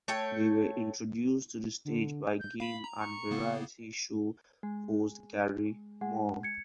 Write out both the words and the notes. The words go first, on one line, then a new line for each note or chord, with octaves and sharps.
They were introduced to the stage by game and variety show host Garry Moore.
A3 C#5 G5
D3
G6
F5 B5
A#5
C#6
C#3 A#3 B3
G#3
G#3 F#5
G#6 C#7